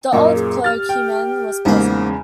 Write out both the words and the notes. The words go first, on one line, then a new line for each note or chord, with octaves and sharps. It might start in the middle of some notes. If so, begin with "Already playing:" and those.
The old clergyman was present.
F#2 A#2 A#3 D#5
G#4
G4 F6 A6
G5
E2 G#2 C#3 A#3